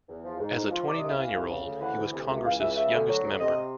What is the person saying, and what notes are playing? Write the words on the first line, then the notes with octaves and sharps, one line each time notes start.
As a twenty-nine-year-old, he was Congress's youngest member.
E2
F3
G#2
G#2
F3
C3 D5
D#5
C2 E5
E3 F5
C2
C#3
D2
E3 F#5
D2
C3
C#2
E3 F5
C#2 E5
C#3 E5
D2
F#3
D2
C3 D#5